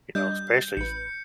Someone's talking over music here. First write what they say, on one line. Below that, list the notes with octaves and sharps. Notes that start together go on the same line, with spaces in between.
You know, especially s
G3 D4 D#5 G6
A1 B4 C#7